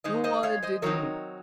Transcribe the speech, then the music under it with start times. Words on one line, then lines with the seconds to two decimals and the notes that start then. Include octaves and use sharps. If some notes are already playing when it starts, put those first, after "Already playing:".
No, I didn't.
0.04 D#3 G#3 D#4 C5 D#5
0.24 C5 D#5
0.43 C#5 F5
0.63 C5 D#5
0.82 D#3 F#3 C4 D#4 A#4 C#5